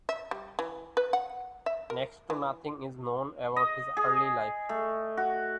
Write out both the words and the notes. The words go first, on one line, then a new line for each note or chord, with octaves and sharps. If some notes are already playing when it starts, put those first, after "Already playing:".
Next to nothing is known about his early life.
E5
G3
E3
B4
F#5
E5
A#4
E3
D#5
G#4
A3
F#4